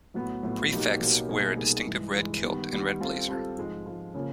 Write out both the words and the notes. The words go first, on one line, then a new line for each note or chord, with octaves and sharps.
Prefects wear a distinctive red kilt and red blazer.
A2 F#3 B3
A2 F#3 B3
B2 F#3 A#3 D#4 G4
B2 F#3 A#3 D#4 G4
B2 G3 A#3 D#4 G#4
B2 G3 A#3 D#4 G#4
G2 E3 G#3
G2 E3 G#3
D#3 G3 B3
D#3 G3 B3
G3 C4 F4 A4
G3 C4 F4 A4
G#2 F3 G#3
G#2 F3 G#3
C#3 F3 A#3 C#4